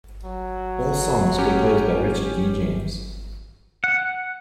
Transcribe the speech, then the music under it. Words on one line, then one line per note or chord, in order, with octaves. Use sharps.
All songs composed by Richard D. James.
F#3
C#4 G4
F#5